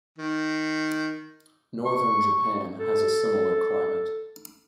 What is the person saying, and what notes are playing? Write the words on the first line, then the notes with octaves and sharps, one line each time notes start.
Northern Japan has a similar climate.
D#3
C#6
A4